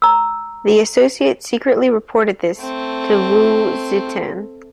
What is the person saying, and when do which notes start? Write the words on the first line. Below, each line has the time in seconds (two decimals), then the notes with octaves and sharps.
The associate secretly reported this to Wu Zetian.
0.02 A#5 E6
2.60 A3 C4